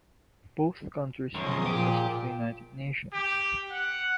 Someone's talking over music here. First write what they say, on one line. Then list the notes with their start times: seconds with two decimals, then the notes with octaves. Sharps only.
Both countries are members of the United Nations.
1.35 F#2 D#3 F3 G#4 D#6
1.66 A#2 G4
3.13 G4
3.71 F#5